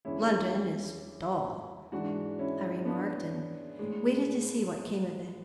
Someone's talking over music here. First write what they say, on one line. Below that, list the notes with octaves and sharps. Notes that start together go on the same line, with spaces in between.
"London is dull," I remarked, and waited to see what came of it.
E2 D3 G#3 C#4 E4
G#2 E3 G#3 D4 F#4
C#4 E4
B3 D4
A2 G#3